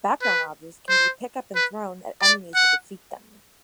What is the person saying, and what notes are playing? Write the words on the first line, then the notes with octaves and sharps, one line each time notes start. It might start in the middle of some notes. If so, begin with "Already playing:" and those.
Background objects can be pick up and thrown at enemies to defeat them.
B4
C5
B4
D5
F#5